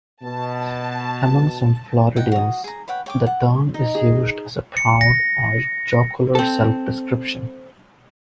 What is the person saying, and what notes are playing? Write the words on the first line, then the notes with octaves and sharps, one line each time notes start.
Among some Floridians, the term is used as a proud or jocular self-description.
B2 A5
D#4 F#5 G5
F#4 D#6
G#4 A#5
B4 C#5 F#5 G5
C#5 G5 D6
F#5
D#4
G#4
C#7
A#6
C4 A4